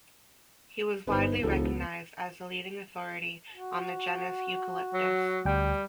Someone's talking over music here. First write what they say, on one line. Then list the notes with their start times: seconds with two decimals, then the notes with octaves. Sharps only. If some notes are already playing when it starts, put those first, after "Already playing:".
He was widely recognised as the leading authority on the genus "Eucalyptus".
1.07 G1 B3 D#4 C5
1.43 E1 C#2 B3 A4
3.54 F#4
4.94 F#3
5.45 D2 G3 G5